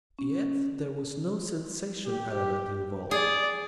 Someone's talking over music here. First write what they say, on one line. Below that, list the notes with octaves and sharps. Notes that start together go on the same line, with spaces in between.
Yet there was no sensation element involved.
C#4
G4
G#4 D5